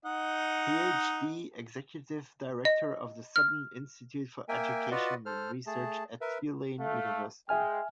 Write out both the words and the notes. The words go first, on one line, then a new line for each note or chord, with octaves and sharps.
Ph.D., Executive Director of the Southern Institute for Education and Research at Tulane University.
D#4 D#5 F#5
D#5
F6
A#3 A#4 E5 G5 G#5
F4 F#4 B4 D5 D#5 F#5
A4 C5 F6
A3 G#4 A5
A#4 B4 E5
A3 F5
G#3 E5 G5 G#5 F6